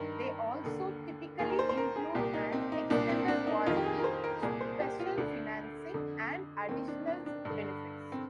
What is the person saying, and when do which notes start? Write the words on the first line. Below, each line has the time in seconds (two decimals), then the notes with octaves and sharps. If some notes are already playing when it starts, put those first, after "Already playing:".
They also typically include an extended warranty, special financing, and additional benefits.
Already playing: G2 D#3 A#4
0.63 D#2 D3
1.39 D#2 D#3 G#4
1.50 A#4
1.59 C5
1.69 C5
1.77 A#4
1.96 G#4
2.15 C2 A#2 G4
2.34 D#4
2.53 C4
2.72 D#4
2.90 C2 A#2 D4
3.09 C4
3.28 D4
3.47 D#4
3.66 F2 D#3 F4
3.77 G4
3.86 G#4
3.98 A#4
4.04 C5
4.24 A#4
4.42 C2 A#2 G#4
4.61 C5
4.80 G4
4.99 F4
5.17 D2 D3 D4
5.94 F2 D3
6.69 D#2 D#3 C4
6.88 D4
7.08 D4
7.26 D4
7.45 G2 D3
8.12 C4